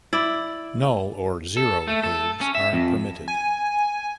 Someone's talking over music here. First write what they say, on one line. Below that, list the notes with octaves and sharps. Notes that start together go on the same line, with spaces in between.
"Null" or "zero" moves are permitted.
E4 D5
A4
A3
A4
C#4
E5
F2
G#5